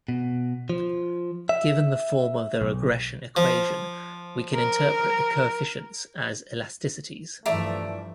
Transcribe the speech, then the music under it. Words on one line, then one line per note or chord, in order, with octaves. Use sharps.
Given the form of the regression equation, we can interpret the coefficients as elasticities.
B2
F3
E5
B1
F3
A#4
G2 E3 F3 A3 D5 E5 A#5